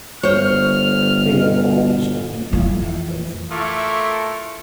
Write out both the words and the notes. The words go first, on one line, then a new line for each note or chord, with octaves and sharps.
They are always open and active.
G1 C5 C#5 F6
F2 E3
A3 E4 F4 A#4 C#6 D6